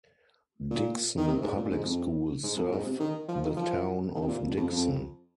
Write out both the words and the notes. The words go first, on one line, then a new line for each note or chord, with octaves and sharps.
Dickson public schools serve the town of Dickson.
A#2
D#3
C3
G#2
A#2
G#2
F2
G#2
F2
A#2
G#2
C3
D#3
F3
D#3
F3
D#3
C3
A#2
F2
F2
F2